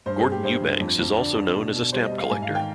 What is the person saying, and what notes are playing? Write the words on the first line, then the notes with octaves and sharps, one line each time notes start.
Gordon Eubanks is also known as a stamp collector.
G2 C5
G#4
G2
G4
G2 C5
G2
F2
F2
D3 D5
D3
B2
B2
G3 C5
D#5
G3
F5
G#2 G#5
F5
D#3
G5